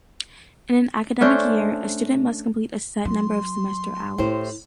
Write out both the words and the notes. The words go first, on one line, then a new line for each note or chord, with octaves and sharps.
In an academic year, a student must complete a set number of semester hours.
A3 C#4 D4 C5
F#3 C6
A2 E4 G4 C5